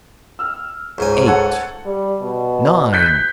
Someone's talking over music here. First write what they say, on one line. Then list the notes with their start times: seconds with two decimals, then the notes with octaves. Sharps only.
Eight, nine!
0.39 E6 F6
0.98 C#2 G#2 G#5
1.27 A4 C#5 F#5
1.85 G3
2.21 B2
2.93 F#6 G6 B6